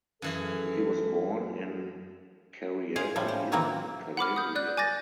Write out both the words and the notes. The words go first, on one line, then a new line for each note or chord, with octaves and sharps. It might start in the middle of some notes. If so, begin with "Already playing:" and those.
He was born in Cariati in Calabria.
F#2 E3 G#4 A4
G#4 C5 F5
A2 F3 G3
C5
C3 D#3 E3 F#3 A#3 C4
F#5 B5 D6 F6
D#6 G6
D5 F#6 G6
G#5 D6 G6 A6 A#6